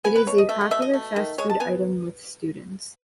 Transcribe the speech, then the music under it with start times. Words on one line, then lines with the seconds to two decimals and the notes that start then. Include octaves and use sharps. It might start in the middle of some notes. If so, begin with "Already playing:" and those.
It is a popular fast food item with students.
0.04 B3 G#5
0.16 B4
0.27 B2 C#5
0.38 D#5
0.49 A3 E5
0.61 F#5
0.71 B2 E5
0.82 D#5
0.93 A3
1.16 D#3
1.38 G#3 C#5
1.50 A5
1.60 B3 G#5